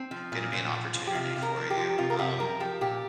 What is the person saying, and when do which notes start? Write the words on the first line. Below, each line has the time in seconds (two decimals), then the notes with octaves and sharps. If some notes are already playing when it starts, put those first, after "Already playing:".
gonna be an opportunity for you. Um,
Already playing: C4
0.11 F3
0.32 A#2
0.53 A#2
0.74 F3
0.94 F3
1.07 G4
1.15 C3 F4
1.36 C3
1.42 A#4
1.56 F3
1.70 G4
1.77 F3
1.98 C3 F4
2.10 A#4
2.19 C3 G4
2.40 F3 A#4
2.60 F3 G4
2.81 A#2 G4